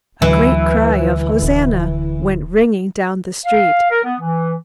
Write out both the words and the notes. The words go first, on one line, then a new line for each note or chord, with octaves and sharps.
A great cry of "Hosanna!" went ringing down the street.
D2 D3 E3 F#3
D1
F5
A#4
B3
E3